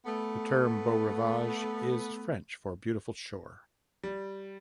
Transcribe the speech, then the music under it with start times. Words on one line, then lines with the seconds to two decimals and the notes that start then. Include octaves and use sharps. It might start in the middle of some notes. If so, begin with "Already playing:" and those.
The term 'Beau Rivage' is French for 'beautiful shore'.
0.06 A3 B3
4.03 G3